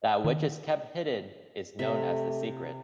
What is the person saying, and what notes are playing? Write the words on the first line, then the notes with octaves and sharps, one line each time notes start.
That which is kept hidden is known as the secret.
D#3
C3 A3 E5